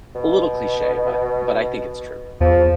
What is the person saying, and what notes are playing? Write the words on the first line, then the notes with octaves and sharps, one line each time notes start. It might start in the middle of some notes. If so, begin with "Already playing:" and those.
a little cliche, but but I think it's true.
B2
E2 F3